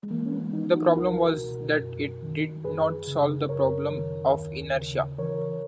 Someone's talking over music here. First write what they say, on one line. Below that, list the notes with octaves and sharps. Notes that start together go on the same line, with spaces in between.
The problem was that it did not solve the problem of inertia.
G#3
E3 A#3
C#4
G#3 B3
E3 B3 D#4
D#4 F#4
C#2 F#4 A#4
B2
F#2
D#3
F#2 G#4 B4
C#3
F#2 A#4 C#5
D#3
D#2
C#3
E3 A#4 C#5